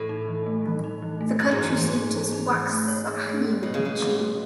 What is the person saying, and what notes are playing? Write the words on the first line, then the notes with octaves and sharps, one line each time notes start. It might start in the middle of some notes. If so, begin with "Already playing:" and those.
The county seat is Waxahachie.
Already playing: A2 E3
D#4
E3
A3
E3
D#4
E3
A3
F#2 E3
G#2
F#2 D#4
G#2 E3
A3
E3
D#4
E3
A3
C#5
G#4
A3
C#4
B2 C#5
C#3
B2 G#4
A3
C#4